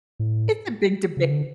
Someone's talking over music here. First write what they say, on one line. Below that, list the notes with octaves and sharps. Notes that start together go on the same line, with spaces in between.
It's a big debate.
A2
C#3
D3